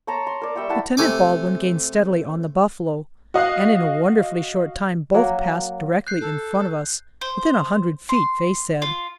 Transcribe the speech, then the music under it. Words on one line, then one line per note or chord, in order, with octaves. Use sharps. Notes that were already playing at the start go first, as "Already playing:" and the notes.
Lieutenant Baldwin gained steadily on the buffalo, and in a wonderfully short time both passed directly in front of us--within a hundred feet, Faye said.
C#5 A5 A#5 C6
C6
A#4 D5
G3 E5 G5 C#6
E4 F#5 A5 B5
C3 A3 G#5 D6
F#4 D#5 F5 F#6
F#3 A#3
F#6 G6 C7
A4
C5
C6
F4